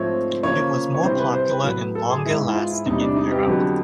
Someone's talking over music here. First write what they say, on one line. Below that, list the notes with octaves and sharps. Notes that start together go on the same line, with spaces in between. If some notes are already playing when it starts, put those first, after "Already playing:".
It was more popular and longer-lasting in Europe.
Already playing: G#2 F3 A3 C4 C#5
C#3 F3 A#3 C#5
C#5
C3 E3 G3 C5
B4
C5
B4
A2 F#3 B3 B4
A4
G#4
G#2 E3 G#3 B3 E4
D#4
E4
F4
E4
E2 C3 E3 G3 D#4
D4
D#4
G4
F2 D3 F#3 B3